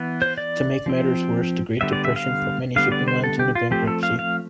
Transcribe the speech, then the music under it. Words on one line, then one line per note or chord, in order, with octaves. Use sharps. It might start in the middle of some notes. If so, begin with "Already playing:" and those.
To make matters worse, the Great Depression put many shipping lines into bankruptcy.
Already playing: E3 B3
C5
D5
F3 C4
D3 G3 B3 E5
D5
E5
F5
D3 G3 B3 F5
D5
C5
A4
G4
F4
F3 A3 C4 G4
A4
F5
F5